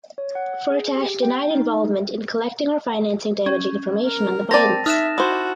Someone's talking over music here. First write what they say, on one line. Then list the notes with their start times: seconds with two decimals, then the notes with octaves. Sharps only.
Firtash denied involvement in collecting or financing damaging information on the Bidens.
0.18 C#5
0.35 F#5
0.70 G#4
0.96 G4
1.23 G5
1.51 D#4
3.46 C#4
4.06 A#4
4.51 C4 A#4 C5 D5 A5 A6 A#6
4.86 D#4 E5 F6 F#6 E7
5.18 E4 F#4 C5 D#6